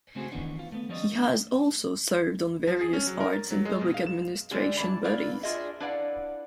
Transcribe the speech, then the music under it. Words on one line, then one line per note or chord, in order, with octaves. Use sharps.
He has also served on various arts and public administration bodies.
C#3 A3 C4 C#4 F#4 G#4
D#3 E3 B3 C#4 D4
F4
A3 B3
F3 G3 C#4 D5 D#5
A3 A#3 D4
F3
G#4
C#4
F#3
A#4
A6
F#3
G#3
B2
F5
E7
D3 G3 G#3 D4
E3 D4 C5 A5
E4 A#4 B4 D5 F5
D4 F4 F#4 G#4 D#5 E5
D4 E4 B4 D5 F5 F#5